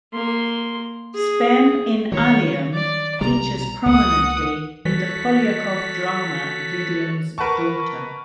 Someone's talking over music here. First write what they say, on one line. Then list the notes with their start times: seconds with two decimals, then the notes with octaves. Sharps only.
"Spem in alium" features prominently in the Poliakoff drama "Gideon's Daughter".
0.13 A#3 C6
1.15 G#4
2.12 D#3 F#3 C#5
2.73 D5
3.21 B1 C3 G3 A#5
3.86 C#2 A#3 F#5 D#6
4.85 E3 F#4 A4 C#5 B6
7.38 A#4 B4 F#5 A5 C#6